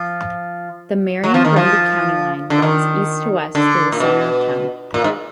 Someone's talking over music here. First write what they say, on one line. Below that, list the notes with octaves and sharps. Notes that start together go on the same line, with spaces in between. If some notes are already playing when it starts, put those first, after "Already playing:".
The Marion-Grundy county line runs east-to-west through the center of town.
Already playing: F3
F#3
F3
D#3
F3
D3
D#3
D3
A#2
B2
A#2
G#2